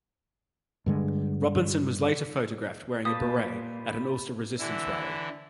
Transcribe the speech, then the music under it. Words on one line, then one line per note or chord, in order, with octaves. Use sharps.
Robinson was later photographed wearing a beret at an Ulster Resistance rally.
G2 D3 G#3
A#2 A#3 G4 B4 A5 D#6
D3 E3 E4